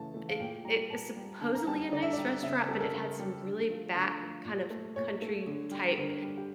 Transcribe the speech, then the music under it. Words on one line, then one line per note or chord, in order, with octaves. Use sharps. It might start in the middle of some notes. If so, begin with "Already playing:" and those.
it it is supposedly a nice restaurant, but it had some really back, kind of, country type,
Already playing: C#3 E3 A3 A5
E3 A3
F5
A#2 G5
G3 A#5
A#2 A5
G3
D3 A5
A#5
G3 A5
D3 D5
E5
G3 D5
C#3 E5
G3 A4
A#4
A4
C#3 A#4
G3
D3
F3 A3
D3
F3 A3
A#2
A3
A#2 C#5
A3
D3
G3
D3 A#4
G3
G4